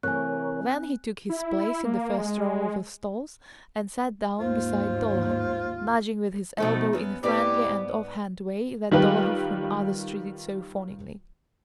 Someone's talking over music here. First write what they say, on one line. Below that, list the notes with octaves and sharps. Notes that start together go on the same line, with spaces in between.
Then he took his place in the first row of the stalls and sat down beside Dolokhov, nudging with his elbow in a friendly and offhand way that Dolokhov whom others treated so fawningly.
C3 E3 A3 C4 A#4 C#5 G#5 F#6
E4
A#3
G#3
D#2 G#2 F4 C5
B2 F3 A3 D#4 A4
F#2 B3
G#2 B3 C4 E4 G4 D5
D#3 G3 F4 G4 B4